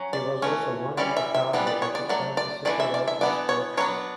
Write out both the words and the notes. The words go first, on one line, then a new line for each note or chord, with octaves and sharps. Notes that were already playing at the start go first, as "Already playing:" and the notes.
He was also one of the founders of the Turkey City Writer's Workshop.
Already playing: F#3 C#4
D5
E3 A3 C#4
E3 G3 C#4 D5
E5
E5
E3 G3 B3 D4
D5
C#5
D5
F#3 A3 D5
D5
E3 A3 D4 D5
E5
D5
E5
E3 B3 D4 D5
C#5
F#3 B3 D4 C#5